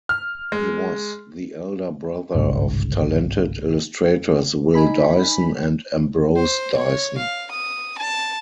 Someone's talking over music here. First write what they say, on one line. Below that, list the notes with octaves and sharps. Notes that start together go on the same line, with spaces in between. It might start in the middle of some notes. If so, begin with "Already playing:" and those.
He was the elder brother of talented illustrators Will Dyson and Ambrose Dyson.
F6
G#3
G1 C2 G#2 C#3
D#4 G#5 B5 B6
C5
C#5
F5
D#6
A5